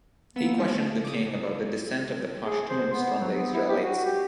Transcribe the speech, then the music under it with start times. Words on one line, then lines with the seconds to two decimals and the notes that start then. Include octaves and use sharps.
He questioned the King about the descent of the Pashtuns from the Israelites.
0.36 A#3 B3 E6 E7
0.58 G3 G#3 C#4 F4
0.71 D2 A3
1.05 C#3 D6 D#6
2.44 G#4
2.68 C5
2.93 B3
3.21 F#3
3.34 B3
3.54 E4
3.69 G4
3.82 F#4
4.05 G4